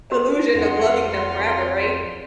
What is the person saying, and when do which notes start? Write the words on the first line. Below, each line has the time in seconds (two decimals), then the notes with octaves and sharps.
illusion of loving them forever, right?
0.12 F#4
0.55 F2 F4 F#5 C6